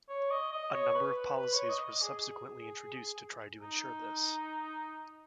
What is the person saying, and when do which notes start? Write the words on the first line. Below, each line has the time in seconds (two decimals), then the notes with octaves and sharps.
A number of policies were subsequently introduced to try to ensure this.
0.09 C#5
0.31 D#5
0.52 D#5
0.73 C#5
0.95 B4
1.15 B4
1.37 B4
1.53 C#5
1.69 D#5
1.85 D#5
2.02 G#4
3.61 D#4